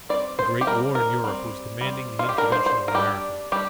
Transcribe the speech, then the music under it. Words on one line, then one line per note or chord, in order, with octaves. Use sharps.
The Great War in Europe was demanding the intervention of America.
G3 C4 D5
C5
G4
G3 C4 A#4
A#4
G3 C4
G3 C4
F4
G4
G3 D4 A#4
C5
C5
A#4
G3 D4 G4
G3 D4 G4